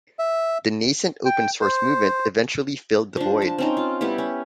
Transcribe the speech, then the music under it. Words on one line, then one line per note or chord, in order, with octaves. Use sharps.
The nascent open source movement eventually filled the void.
E5
G5
C5
F3 D4
A5
C4 C#4 D#4
F4
G3 B3 E4 G4
C#4